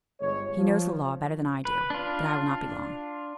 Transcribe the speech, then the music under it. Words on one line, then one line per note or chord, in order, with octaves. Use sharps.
"He knows the law better than I do; but I will not be long."
G1 G#3 C#5
F3
B4
D4 F4